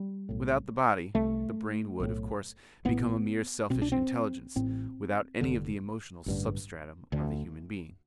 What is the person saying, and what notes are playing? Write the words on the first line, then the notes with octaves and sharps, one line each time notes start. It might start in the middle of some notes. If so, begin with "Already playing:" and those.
Without the body the brain would, of course, become a mere selfish intelligence, without any of the emotional substratum of the human being.
Already playing: G3
B1 A2
C2 C3 A3
B1 A2
A1 A2 B3
C2 B2 C4
D4
C4
A1 A2 C4
F1 E2 D3
A1 G2 D3
D2 D3